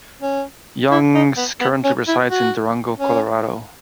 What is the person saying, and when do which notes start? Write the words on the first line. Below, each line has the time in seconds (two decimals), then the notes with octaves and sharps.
Youngs currently resides in Durango, Colorado.
0.22 C#4
0.91 E4
1.14 D#4
1.37 B3
1.60 B3
1.84 C#4
2.08 E4
2.31 F#4
2.99 C#4